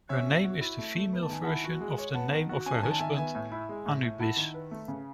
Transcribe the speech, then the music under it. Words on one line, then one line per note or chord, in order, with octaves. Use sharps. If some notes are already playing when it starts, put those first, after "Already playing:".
Her name is the female version of the name of her husband, Anubis.
C#4 C#5 E5
B2
F#4
E4
A3
A3
B3
A5
D#3 G#5
E4 F#5 A5
F#4
G#3
C#5
B3 F#5 A5
D#3
F#4
C#4 G#5
A5
D#3 G#5
A5
D#3 E5 G#5
B3 E5 G#5
A2
E4
G#3
A2
A2
E4 F#5 A5
D#3
B4
A3
C#3